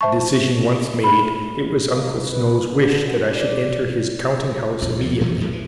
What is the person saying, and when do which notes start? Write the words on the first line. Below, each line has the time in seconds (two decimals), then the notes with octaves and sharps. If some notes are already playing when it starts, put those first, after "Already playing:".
The decision once made, it was Uncle Snow's wish that I should enter his counting-house immediately.
0.01 C5 E5 A5 C#6
1.04 A3 B5
1.89 A#3
2.29 B4
2.70 D3
3.04 F#2
3.36 D5
4.82 A#1 F2
4.97 D#2 A2 F3
5.21 A2 E3 F3 A3
5.40 E2 A2 C3 G3
5.53 E3